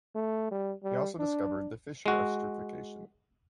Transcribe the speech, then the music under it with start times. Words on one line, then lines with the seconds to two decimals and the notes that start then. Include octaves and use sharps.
He also discovered the Fischer esterification.
0.15 A3
0.51 G3
0.83 G3
1.19 D4
2.06 G#3 F#4